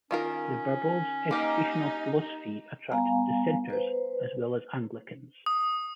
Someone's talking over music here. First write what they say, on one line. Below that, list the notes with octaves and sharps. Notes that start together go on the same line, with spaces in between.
The Barbaulds' educational philosophy attracted Dissenters as well as Anglicans.
D#3 C#4 F4 A#4
A#3 D#4 G4
G3 B3 F5 G#5 A#5
B4 C5
D#6